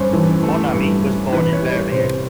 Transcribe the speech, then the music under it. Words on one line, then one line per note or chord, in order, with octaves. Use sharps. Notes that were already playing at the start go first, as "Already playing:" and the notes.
Monami was born in Verviers.
Already playing: G2 A3 C#4 C5
E3
A3
G2
C#4
E3 B4
C#5
G3
C#5
C3 C5